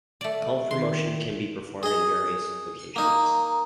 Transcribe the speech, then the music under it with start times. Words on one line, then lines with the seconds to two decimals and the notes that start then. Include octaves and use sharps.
Health promotion can be performed in various locations.
0.21 A3 D5
0.71 D#3 C6
1.83 G#4 D#5
2.96 A#3 D#4 A#5